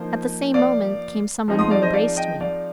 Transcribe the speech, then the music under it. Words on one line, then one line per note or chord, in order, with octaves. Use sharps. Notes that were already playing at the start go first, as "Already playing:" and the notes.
At the same moment came someone who embraced me.'
Already playing: F3 A#3 D#4 C5
D5 F5
F3 G#3 C4 D#4
C6 D#6
D5 F5
C5 D#5
D5 F5
D#5 G5
D5 F5